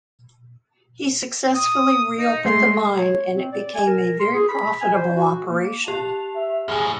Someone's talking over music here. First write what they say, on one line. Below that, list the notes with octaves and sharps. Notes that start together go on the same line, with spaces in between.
He successfully reopened the mine and it became a very profitable operation.
D#6
D#4
G#3 A3 C6
C#5
C4
D5
G#5
A#4
C6
G#4
B5
G#5
C5
F#4
A#3
G4 A5 F7
E5
F#2 A2 G#4 G#5 F6